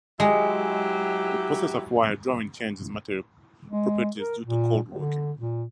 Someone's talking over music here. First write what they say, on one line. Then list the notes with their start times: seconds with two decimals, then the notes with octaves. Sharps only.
The process of wire drawing changes material properties due to cold working.
0.20 F#3 G#3 E4 G4
3.70 G#3
4.17 A#4
4.45 A#2
4.95 D3
5.39 A#2